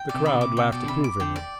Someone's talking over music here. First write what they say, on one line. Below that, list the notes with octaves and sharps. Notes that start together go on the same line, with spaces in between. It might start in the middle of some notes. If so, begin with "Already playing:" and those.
The crowd laughed approvingly.
Already playing: G5
D5
C3
D3 B5
C3
D6
C3 G5
B2 D5
D3
C3 B5
D6
D3 G5
D5